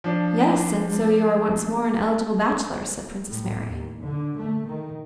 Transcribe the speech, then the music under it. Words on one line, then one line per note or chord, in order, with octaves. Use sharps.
"Yes, and so you are once more an eligible bachelor," said Princess Mary.
F3 D4
A2
D#2
D3
A3
D#3